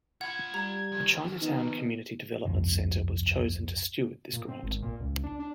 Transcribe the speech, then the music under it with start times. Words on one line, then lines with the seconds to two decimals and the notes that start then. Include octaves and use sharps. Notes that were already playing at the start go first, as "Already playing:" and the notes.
The Chinatown Community Development Center was chosen to steward this grant.
0.21 F4 F#5 B5 G#6
0.54 G3 G4 A#5
0.92 D#3 F3
1.41 B3 D#4
2.45 G1 C2 F2
4.33 A#2
4.48 C4
4.63 G#1
4.83 A#2
5.00 C#2
5.24 D4
5.39 D4